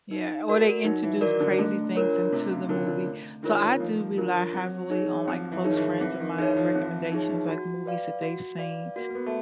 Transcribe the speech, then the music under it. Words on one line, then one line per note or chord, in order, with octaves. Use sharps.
Yeah, or they introduce crazy things into the movie so I do rely heavily on my close friends of mine recommendations, like movies that they've seen.
D#4
F#4 A#4 D5
F#3 D#4
E3
D#3 F#4 A#4 D5
D3
D3 A3
D4 F4 A#4 C#5
C3 A3
C#3
D3 D4 F4 A#4 C#5
D3
A3
D#3 D4 F4 A#4 C#5
F3 A3
D4 F4 A#4 C#5
F#3 C4
D#4 G#4 C#5
F3 C4
E3
D#4 G#4 C#5
D#3
E3
E3 C4
D#3
E3 D#4 G#4 C#5
F3
C4
D#4 G#4 C#5
F#4
B4 D5 F5
F#4
B4 D5 F5
A#3 F#4
A#3
B3
A3